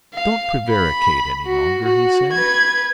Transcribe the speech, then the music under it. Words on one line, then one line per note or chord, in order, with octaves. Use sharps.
"Don't prevaricate any longer," he said.
F5
B5
F#4
F#4
B4 G#6